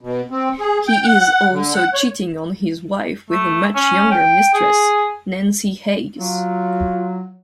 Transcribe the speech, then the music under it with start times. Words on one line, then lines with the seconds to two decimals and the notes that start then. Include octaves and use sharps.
He is also cheating on his wife with a much younger mistress, Nancy Hayes.
0.01 B2
0.31 C4
0.60 G#4
0.87 G5
1.04 F#5
1.53 D3
1.74 F#5
1.93 C#5
3.30 A3
3.75 C#4
4.12 G5
4.54 G#4
6.19 F#3 F4